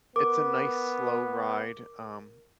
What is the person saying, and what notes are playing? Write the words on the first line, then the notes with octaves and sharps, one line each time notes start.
it's a nice slow ride, um,
B3 A#4 D6